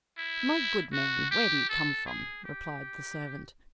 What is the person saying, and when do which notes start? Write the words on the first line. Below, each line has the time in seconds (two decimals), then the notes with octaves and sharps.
"My good man, where do you come from?" replied the servant.
0.18 E4
0.93 F#4
1.31 G4
1.69 A4
2.06 G#4
2.44 G4